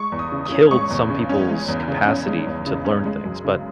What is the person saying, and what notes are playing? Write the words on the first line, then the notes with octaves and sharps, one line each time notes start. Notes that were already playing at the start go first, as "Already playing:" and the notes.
killed some people's capacity f to learn things, but
Already playing: G#3 C#6
E2
D#6
C#3
D#6
C#4
G#3 C#6
E2
C#3
C#4
G#3
E2
C#3
C#4
G#3
E2
C#3
C#4
G#3
F#2
C#3